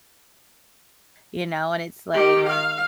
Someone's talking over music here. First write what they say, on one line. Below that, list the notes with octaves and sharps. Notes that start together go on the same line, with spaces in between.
you know? And it's, like,
D#3 G4
F5